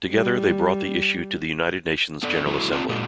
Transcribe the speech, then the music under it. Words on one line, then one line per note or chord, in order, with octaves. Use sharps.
Together, they brought the issue to the United Nations General Assembly.
G3
B3 A4 D5
F#3 G#3 E4 F#4 A4
C4 F4 D5 F#5 A5 A#5
A#2 G#3 A#3 D4 F#4